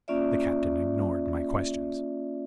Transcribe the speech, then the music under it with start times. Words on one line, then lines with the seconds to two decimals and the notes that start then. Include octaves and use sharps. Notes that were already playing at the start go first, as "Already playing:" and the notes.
The Captain ignored my questions.
0.08 A#3 C#4 F4 D5 E5